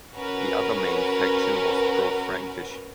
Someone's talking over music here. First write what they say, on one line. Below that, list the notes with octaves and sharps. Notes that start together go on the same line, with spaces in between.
The other main faction was pro-Frankish.
C#4 F#4 A#4 B4